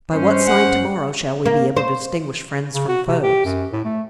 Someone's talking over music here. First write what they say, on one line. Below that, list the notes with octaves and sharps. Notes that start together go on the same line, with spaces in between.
"By what sign to-morrow shall we be able to distinguish friends from foes?"
G2 C#4 C5
F#5
A#3
C5
C#3
F#4
C3
G4
F#2
A2
A3